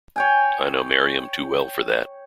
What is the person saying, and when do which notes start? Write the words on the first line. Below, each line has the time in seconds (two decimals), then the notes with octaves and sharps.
I know Maryam too well for that.
0.16 C#5 G5 G#5